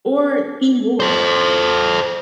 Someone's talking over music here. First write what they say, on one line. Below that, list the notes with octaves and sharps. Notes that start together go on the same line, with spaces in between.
or Teen Wolf.
A4 C5